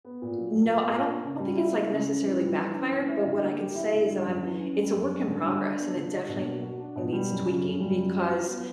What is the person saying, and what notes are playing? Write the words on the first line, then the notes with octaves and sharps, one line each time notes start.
No, I don't think it's, like, necessarily backfired, but what I can say is that I'm it's a work in progress, and it definitely needs tweaking because
B3
A#2
F#3
A#2
B3
A#2
A#3
C#3
G3
E4
A#3
C#3
C#4
E3
G3
E3
C#4
E3
E4
D3
A#3
G4
E4
D3
G3
F#2
E3
C#4
G3
F#2
B3
D3
G3
D4
B3
D3
D4
B2
A#3
F#4
D4
B2
G3
F#2
C#3
F#2
G3
F#2
F#4
F#3
B3